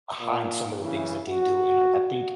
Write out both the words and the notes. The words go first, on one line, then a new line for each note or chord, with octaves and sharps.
behind some of the things that they do, and I I think
A#2
C#3 E3 E4
F#4